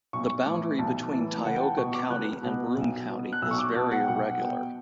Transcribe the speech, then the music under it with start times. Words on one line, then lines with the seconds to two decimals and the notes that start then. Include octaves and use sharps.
The boundary between Tioga County and Broome County is very irregular.
0.13 B1 C#6
0.45 A2 E3 D6
0.78 B1 A5
1.12 A2 E3
1.45 C#2 F#5
1.56 G5
1.61 A5
1.78 B2 C#6
1.94 D6
2.10 C#2 F#6
2.43 B2
2.76 B1
3.09 B2
3.33 F#6
3.42 B1 E6
3.51 C#6
3.58 D6
3.75 B2 A5
3.91 F#5
4.00 G5
4.08 B1 F#5
4.41 B2 G5